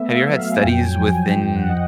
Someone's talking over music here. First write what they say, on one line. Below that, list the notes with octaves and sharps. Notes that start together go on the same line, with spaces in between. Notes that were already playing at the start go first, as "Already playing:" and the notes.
have you ever had studies within
Already playing: A3 B3 E5
F5
E5
F#3
E5
F5
G#5
F2 G5
G#5
G5
F3
G#5
F2 G5
F#5
D#5